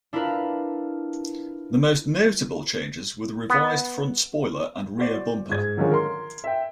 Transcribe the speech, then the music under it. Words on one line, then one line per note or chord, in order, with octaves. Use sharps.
The most notable changes were the revised front spoiler and rear bumper.
D4 E4 F4 A#4 B4
B3
F#4 C5 D5
G#2 G#6
D3 D#3 F3 F#3 G#3 C#4
A#4 C6
E5 G5